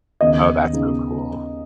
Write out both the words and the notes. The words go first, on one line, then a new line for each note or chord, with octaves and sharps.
Oh, that's so cool.
D#2 C#3 B3 D#4 D#5
C#3 B3 D#4